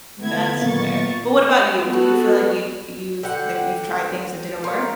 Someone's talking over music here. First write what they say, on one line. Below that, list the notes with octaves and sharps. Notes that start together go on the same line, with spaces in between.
That's fair, but what about you? Do you feel like you'd you've there you've tried things that didn't work?
D3 A3 B3 E4 G#6
A#2 D#3 F#3 A#3 C#6 A6
B3 F#4 A4
D3 F#5 G5
A#3 C5 C#5 F5